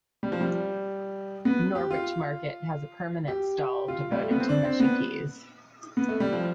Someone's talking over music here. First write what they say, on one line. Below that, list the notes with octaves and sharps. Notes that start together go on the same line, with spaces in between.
Norwich Market has a permanent stall devoted to mushy peas.
G3
F3
G3
B3
G4
F4
G4
F4
G3
A3
B3
C4
D4
C4
B3
B3
A3
G3
F3